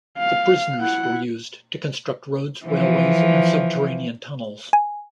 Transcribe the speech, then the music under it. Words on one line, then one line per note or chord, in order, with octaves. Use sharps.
The prisoners were used to construct roads, railways and subterranean tunnels.
F5
E4 F#5
E3 F3
G#5